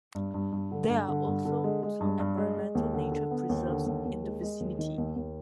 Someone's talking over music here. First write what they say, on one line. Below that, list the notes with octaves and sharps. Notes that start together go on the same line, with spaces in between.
There are also two environmental nature preserves in the vicinity.
G2
G2
G2
D3
G2
D3
G2
D3
G#3
G#3
G2
G2
G#3
G#3
D#2
D3
D3
B3
D#2
D3
D#2
D#2
G#3
G#3
D#2
D#3
D#2
D#2